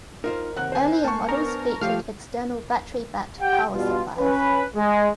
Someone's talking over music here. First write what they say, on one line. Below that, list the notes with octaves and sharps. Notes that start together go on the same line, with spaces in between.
Earlier models featured external battery-backed power supplies.
D#4 F4 A#4 C5
D#2 C3 F#5 F#6
C5 G#5
A#3 A5 C#6
B3 D4 A#4
F3 A3 G4 F5
G4 F#5 G5
G2 B2 F4
C#4 B4
G#3